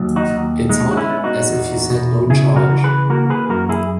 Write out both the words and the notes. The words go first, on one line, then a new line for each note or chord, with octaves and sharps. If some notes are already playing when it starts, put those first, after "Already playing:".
It sounded as if you said no charge.
Already playing: D#2 F#3
D#4 F#4
D#2
G#3 D#4
F#4
C#4 E4
B3
D#4 F#4
E2
B2
C#3 E4 G#4
F#4 A#4
E3
G#4 B4
A#3 F#4 A#4
G#4 B4
F#2 F#4 A#4
E4 G#4